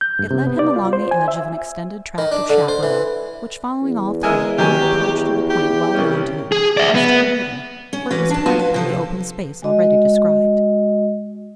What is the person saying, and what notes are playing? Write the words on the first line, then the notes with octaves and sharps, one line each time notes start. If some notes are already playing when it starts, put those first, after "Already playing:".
It led him along the edge of an extended tract of chapparal; which, following all three, he had approached at a point well known to him, as to the reader,--where it was parted by the open space already described.
G6
G2
C3
B3
D5
F4
C5
G#5
E5
D#3
D4
D3
C5
E3
E2
G#3 A#4 E5 G#5
D#2 F#3 G4 G#5
G4
C2 C#4
G#4
D5 E5
B3
C#4
E3 C#4 F#4 B4
D4 A5
F#3 A#3 B3 F4 F#4
B4
C3 F3 A4
G#3 F#4 D#5